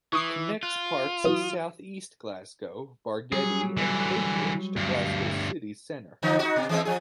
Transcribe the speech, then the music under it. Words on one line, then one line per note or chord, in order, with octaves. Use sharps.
It connects parts of south east Glasgow, Bargeddie and Coatbridge to Glasgow city centre.
E3 C#6 D#6 C7
F4 F#6
E3 F#3 D#6
F#3 G3 G#4
D3 E3
D2 G2
D3 F3 D#4
D#4 F#4
B2
E3 G#3 C4
F3 G#4